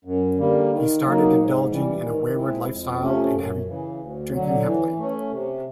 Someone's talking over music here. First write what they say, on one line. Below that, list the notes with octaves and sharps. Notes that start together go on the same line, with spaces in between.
He started indulging in a wayward lifestyle and drinking heavily.
F#2
D3 G3 A#3
D#3
F#3 A#3 D#4
G#2
E3 G3
D#3
G#3 C4 E4
F2
C3 F3 A3 C#4
F#2
C#3 E3
D2
D3 F#3
E3
A3 C#4
C3